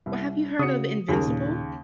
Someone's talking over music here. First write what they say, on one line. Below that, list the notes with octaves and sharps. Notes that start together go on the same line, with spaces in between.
Well, have you heard of Invincible?
C2
C#3 F#4 D#6 C#7
D#2 C#3 G#4 A#4
A#2